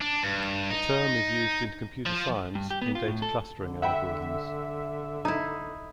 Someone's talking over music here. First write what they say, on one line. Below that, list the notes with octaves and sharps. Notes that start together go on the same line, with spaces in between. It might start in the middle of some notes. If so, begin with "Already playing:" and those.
The term is used in computer science in data clustering algorithms.
D4
G2
D#4
F3
G2
G4
B3
F4
A2
A4
D3
E5 F#5 G5 B5
D#4 E4